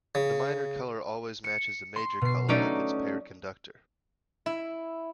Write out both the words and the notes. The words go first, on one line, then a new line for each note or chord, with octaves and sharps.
The minor color always matches the major color of its paired conductor.
C#3
C#7
C6
B2 C7
F#3 A3 C#4 D#4 D5
E4